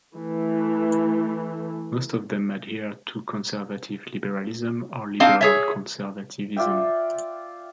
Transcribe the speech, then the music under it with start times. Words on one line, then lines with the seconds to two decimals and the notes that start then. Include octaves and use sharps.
Most of them adhere to conservative liberalism or liberal conservativism.
0.16 E3 A3
5.20 C4 D4 D#4 F5
5.41 G#4 C#5 E5
6.57 F4 D5 E5 G5